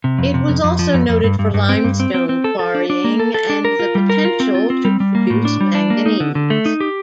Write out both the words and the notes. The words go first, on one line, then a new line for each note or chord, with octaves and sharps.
It was also noted for limestone quarrying and the potential to produce manganese.
C3
F2
C3
F2
F2
F3
F2
F2
G2
G2
G2
C4
G2
C4
C4
C4
A4
A4
D4
D4
A#3
A4
A4
D4
A#4
F4
G3
A#4
F4
C4
F4
C4
G3
G3
A#3
A2
D4
G3
D4
A#3
D#4
D3
D3
A3
D#4
G4